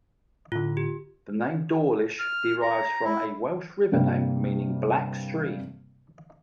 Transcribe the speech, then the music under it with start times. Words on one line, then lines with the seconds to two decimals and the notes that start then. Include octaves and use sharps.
The name "Dawlish" derives from a Welsh river name meaning "black stream".
0.52 A2 D3 F4
0.77 G4
2.19 F6
2.61 A#5
3.04 E4
3.92 G2 C3 G3 A#3